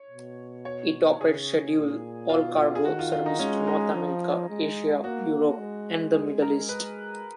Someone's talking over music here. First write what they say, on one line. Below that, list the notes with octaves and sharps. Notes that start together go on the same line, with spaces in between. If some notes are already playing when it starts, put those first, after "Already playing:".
It operates scheduled all-cargo services to North America, Asia, Europe, and the Middle East.
Already playing: C#5
B2
C#5
C#3 G#4
A#2
B2 F4
F4
G#4
D#3 F#4
F4
F4
D#4
G#3 C#4
D#4
F3
G#3
A#3 F#4
G#3
G#4
A#4
B4